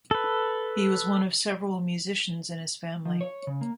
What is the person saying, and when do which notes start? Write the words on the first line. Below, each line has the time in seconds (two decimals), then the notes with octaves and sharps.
He was one of several musicians in his family.
0.11 A4 B4
3.05 F3
3.21 C#5
3.47 C#3
3.61 A#3